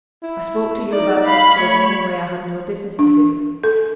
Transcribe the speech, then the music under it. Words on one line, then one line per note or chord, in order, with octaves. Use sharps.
I spoke to you about those children in a way I had no business to do.
E4
D#4 D5
F5 B5
A3 C#5
D4
A4